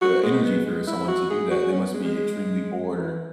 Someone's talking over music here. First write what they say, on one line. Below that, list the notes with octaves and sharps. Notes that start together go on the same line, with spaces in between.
uh, energy for someone to do that. They must be extremely bored or
F#4
G#3
B3
G#3
E4
F#4
G#4
F#4
C#4
B3
G#3
G#3
E3